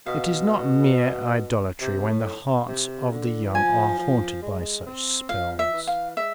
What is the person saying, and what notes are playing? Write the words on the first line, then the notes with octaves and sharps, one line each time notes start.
It is not mere idolatry when the hearts of the young are haunted by such spells.
B2 F5
C3
A2
C3
D3
E3
F3 G#5
F3
G#3
C4
F3 F5
E5
E3
F5
G#3 E5